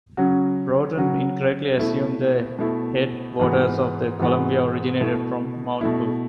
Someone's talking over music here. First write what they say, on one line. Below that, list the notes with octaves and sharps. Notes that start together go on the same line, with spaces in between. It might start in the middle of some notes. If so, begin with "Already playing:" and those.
Broughton incorrectly assumed the head waters of the Columbia originated from Mount Hood.
C#3 F#3 C#4 F#4
C#3 F#3 C#4 F#4
B2 A3 E4
B2 A3 E4
G#2 E3 B3 F#4
G#2 E3 B3 F#4
B2 A3 E4
B2 A3 E4